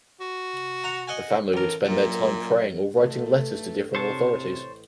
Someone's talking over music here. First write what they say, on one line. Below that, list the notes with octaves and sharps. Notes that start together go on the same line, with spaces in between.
The family would spend their time praying or writing letters to different authorities.
F#4
F#5 A#5
D#5 F#5 G#5
A1 A#4
F#2 A#2
A1 A3
C3 C5 C#5 A5